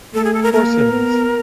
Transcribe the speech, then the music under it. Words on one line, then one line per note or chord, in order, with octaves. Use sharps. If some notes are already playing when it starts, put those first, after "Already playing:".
Of course it is!
A3 A4
G#4
A4
A#4
A#3 A#4
B3